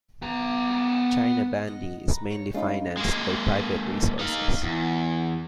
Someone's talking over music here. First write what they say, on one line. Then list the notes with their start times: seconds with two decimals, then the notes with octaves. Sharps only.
China Bandy is mainly financed by private resources.
0.22 B3 A#5
1.67 G#2 D#5 F#5
2.08 B4 A#5
2.30 C#5
2.54 G#3 C#4 D#4 F4 B5
2.97 G#3 A#3
4.19 D#4 F5
4.63 E2